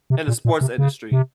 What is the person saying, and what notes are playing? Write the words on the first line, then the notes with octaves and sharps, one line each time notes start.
in the sports industry.
C3
A#2
A#2
C3
C#3
C3